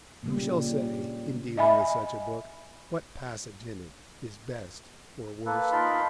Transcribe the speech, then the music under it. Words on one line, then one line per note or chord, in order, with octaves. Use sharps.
Who shall say, in dealing with such a book, what passage in it is best or worst?
A#2 C#3 G3
D#5 E5 G#5 B5
A#3 A4 B4
D#4 F4 A#4 A5 B5 C6